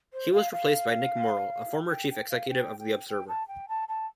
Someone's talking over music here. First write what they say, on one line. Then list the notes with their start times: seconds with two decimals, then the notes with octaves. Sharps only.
He was replaced by Nick Morrell, a former chief executive of The Observer.
0.13 C5
0.34 F5
0.53 F5
1.91 G5
2.11 G5
2.30 F5
2.50 G5
2.80 G5
3.09 G5
3.28 A5
3.48 G5
3.69 A5
3.88 A5